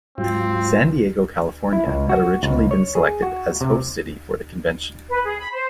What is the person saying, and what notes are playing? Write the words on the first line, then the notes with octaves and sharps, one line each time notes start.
San Diego, California, had originally been selected as host city for the convention.
G#2 F#3 C4 F4
E4
C#2
F#4
C#2
C#5
G#4
F#4
C3
B4
G#4
B5
C5